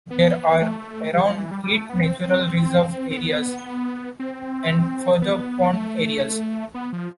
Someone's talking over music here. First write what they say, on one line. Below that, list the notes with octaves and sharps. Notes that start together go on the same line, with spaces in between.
There are around eight natural reserve areas, and further pond areas.
B3
A3
G3
F3
E3
G3
G3
A3
B3
C4
C4
B3
C4
B3
A3
B3
F3